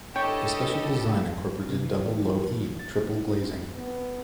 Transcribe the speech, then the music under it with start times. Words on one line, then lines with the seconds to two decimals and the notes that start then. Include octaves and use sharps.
The special design incorporated double low-"e" triple glazing.
0.16 B3 D4 E4 G4 A4 C#5 D#5 G5
1.69 C3
1.85 E3
2.79 A6
3.76 B3